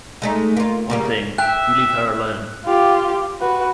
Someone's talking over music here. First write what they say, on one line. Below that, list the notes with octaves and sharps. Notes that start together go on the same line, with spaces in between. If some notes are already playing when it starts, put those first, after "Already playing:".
One thing: you leave her alone.
G#3 A3 D#4
A#3 F4
C#3 G3 A#3
E5 G5 F#6
F4 G4
F#4 B4